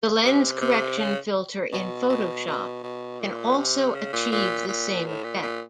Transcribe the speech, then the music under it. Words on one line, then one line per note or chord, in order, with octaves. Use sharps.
The Lens Correction filter in Photoshop can also achieve the same effect.
C3
C3
C#3
B2
B2
B2
B2
A#2
C3
C#3
A#2
A#2
A#2
A2
A#2
A#2